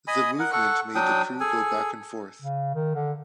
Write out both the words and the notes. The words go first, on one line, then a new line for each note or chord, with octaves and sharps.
The movement made the crew go back and forth.
D#5 G#5 B5 D#6
A#4 F#5
A4 F#5 C#6
F#3 D4 G5 D#6
G#4 A4 G#5
C#3
D#3
D3